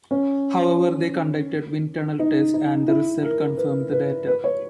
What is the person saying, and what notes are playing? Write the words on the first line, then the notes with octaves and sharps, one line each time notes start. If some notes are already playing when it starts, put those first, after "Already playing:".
However they conducted wind-tunnel tests and the results confirmed the data.
C#4
D#4
D#4
E4
A#4
B4
B4
B4
C#5